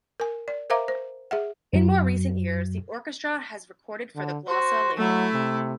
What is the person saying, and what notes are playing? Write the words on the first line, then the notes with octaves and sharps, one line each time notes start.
In more recent years, the orchestra has recorded for the Glossa label.
A#4 G#5
D5
A#4 C5 E5 F5 A#5 D6
C5
G#4 E5 F#5
F#2 F#3
D3
F#4 C5
F#3 A3 E4
C3